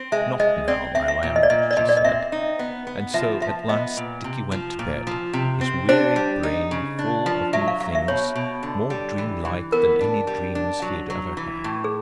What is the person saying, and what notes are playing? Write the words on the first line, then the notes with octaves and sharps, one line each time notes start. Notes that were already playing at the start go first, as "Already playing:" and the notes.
"Not now, my lamb," she said; and so at last Dickie went to bed, his weary brain full of new things more dream-like than any dreams he had ever had.
Already playing: C4
G#3 E5
G#3 D#5
C4 D5
C4 E5
E5
A#2
D#5
D5
A#2 D#5
D5
A#2 D#5
D5
D#5
C4 E5
D#4
B3
B3
F3 E5
F3 E5
B3 D#5
A#2
C3
F3
A#2
F3
C3
C4
D4 C5
G3
D#4
C#3
D4
F3
F#3 E5
F5
F#3 F5
E5
B2 C#5
B2
D3
G3
E3
E3
B3 A#4
D4
G3
D4
F#3
F#3
E3
A2
G#4